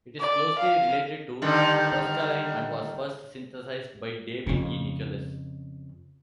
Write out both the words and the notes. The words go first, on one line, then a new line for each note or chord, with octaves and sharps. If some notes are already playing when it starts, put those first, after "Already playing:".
It is closely related to proscaline and was first synthesized by David E. Nichols.
D5
F5
G2 D3 D#3
F2 C#3